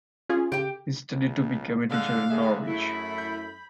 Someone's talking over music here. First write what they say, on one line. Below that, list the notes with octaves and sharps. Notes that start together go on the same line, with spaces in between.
He studied to become a teacher in Norwich.
C#4 F4 G#4
C#3 G4 G5
C#2
D3 G#3 F5 E6 F#6
D3 G#4 E5
F#2 A3 E4 B5
G6